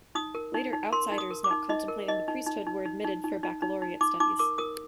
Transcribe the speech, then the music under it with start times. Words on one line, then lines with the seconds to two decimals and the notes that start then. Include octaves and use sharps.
Later "outsiders" not contemplating the priesthood were admitted for baccalaureate studies.
0.15 D#4 D#6
0.35 A#4
0.55 D#4
0.73 D#4
0.93 A#4 C6
1.12 D#4
1.18 D#6
1.31 A#4
1.44 D6
1.51 D#4
1.69 D#4 D#5
1.88 A#4
2.08 D#4 D#5
2.28 D#4
2.47 D#4
2.67 D#4
2.86 D#4
3.04 D#4
3.24 D#4
3.43 D#4
3.62 D#4
3.82 D#4
4.01 D#4 D6
4.20 D#4 D6
4.39 A#4 D6
4.58 A#4 D#6